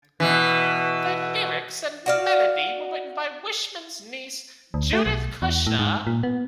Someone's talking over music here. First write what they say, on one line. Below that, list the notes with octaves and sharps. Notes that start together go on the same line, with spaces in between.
The lyrics and melody were written by Wishman's niece, Judith Kushner.
B2 E3
F#4 D5 F5
D2
A3
B1
E2
A2
G#2
A#2
B3